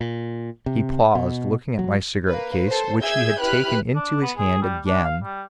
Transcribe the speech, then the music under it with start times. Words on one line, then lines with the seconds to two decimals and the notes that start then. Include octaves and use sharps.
He paused, looking at my cigarette case, which he had taken into his hand again.
0.01 A#2
0.66 C3
1.15 B2
1.79 F#3
2.26 A#3 B4
2.68 A4 C5
3.01 G#4 E5 E6 G6 G#6
3.38 E4 G4 B4 B5 F6 F#6
3.95 D4
4.22 B3
4.37 G#4
4.62 G3
4.87 D4
5.04 F5
5.23 G3